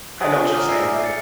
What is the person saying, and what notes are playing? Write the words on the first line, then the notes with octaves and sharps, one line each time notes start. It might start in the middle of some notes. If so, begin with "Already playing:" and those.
I know what you're saying, like
G4 C5 C#5 F#5 G#5 D#6
F4
A#5 D6 D#6 F6 G6
D5 G#5 E6 C7
E5
A6 C#7